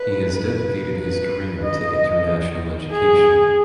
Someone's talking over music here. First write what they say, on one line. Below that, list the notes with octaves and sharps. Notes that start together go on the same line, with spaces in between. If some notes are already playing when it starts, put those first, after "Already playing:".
He has dedicated his career to international education.
Already playing: B4
B4
B4
D#5
G#4